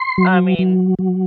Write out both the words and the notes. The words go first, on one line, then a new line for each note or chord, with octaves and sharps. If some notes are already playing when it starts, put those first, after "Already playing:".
I mean
Already playing: C6
F#3
F#3
F#3